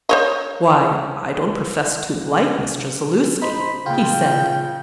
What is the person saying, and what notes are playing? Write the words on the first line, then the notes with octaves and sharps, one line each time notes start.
"Why, I don't profess to like Mr. Zaluski," he said.
C5 C#5 D#5
D#4 C5 B5
A#2 C#3 F4 G5